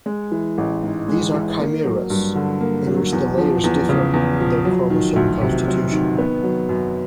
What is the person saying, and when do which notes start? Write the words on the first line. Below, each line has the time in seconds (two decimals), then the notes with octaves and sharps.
These are chimeras in which the layers differ in their chromosome constitution.
0.06 G#3
0.32 E3
0.58 A1
0.83 G#2
1.08 G#3
1.33 E3
1.59 A#3
1.84 F#3
2.10 G2
2.36 D3
2.61 A#3
2.87 F#3
3.13 E2
3.37 F3
3.64 E2
3.89 C#3
4.14 E2
4.40 F3
4.65 F#3
4.90 D#3
5.16 D2
5.41 C3
5.68 F#3
5.92 D#3
6.18 B3
6.43 F#3
6.69 F#2